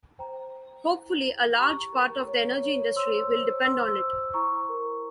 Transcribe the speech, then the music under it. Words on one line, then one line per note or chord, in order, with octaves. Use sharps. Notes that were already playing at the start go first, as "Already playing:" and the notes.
Hopefully, a large part of the energy industry will depend on it.
C5 G5 A#5
C5
E4
G#4
G4 A#5 C#6
A#4
C#5
C#5
C5 C6 E6
C5
C5 C6 E6
C5
E4 A#5 C#6
A#4